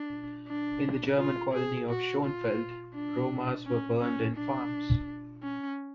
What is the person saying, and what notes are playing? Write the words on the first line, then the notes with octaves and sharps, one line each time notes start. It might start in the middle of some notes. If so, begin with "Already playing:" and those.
In the German colony of Shonfeld, Romas were burned in farms.
Already playing: D4
D4
F4
G#4
F#4
F4
D4
C#4
C#4
D4
C#4